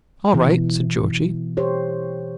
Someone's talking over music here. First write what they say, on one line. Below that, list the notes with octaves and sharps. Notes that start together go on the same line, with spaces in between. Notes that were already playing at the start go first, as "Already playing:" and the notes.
"All right," said Georgie.
B2 E3
G4 C5 C#5